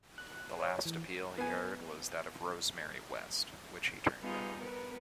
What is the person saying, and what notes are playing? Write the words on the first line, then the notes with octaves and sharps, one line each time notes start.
The last appeal he heard was that of Rosemary West, which he turned down.
F#6
C#5
E3
B3 G#5
G3 B3 D#4 F4 G#4
B3 A#4 B4